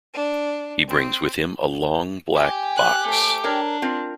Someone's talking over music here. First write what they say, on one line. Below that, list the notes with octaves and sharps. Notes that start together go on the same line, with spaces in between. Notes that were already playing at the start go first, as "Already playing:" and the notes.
He brings with him a long, black box.
D4
C4
G4 G#5
F#6
A3 C5 D7
D4 A#4 C#5 A#5
C4 F4 A#4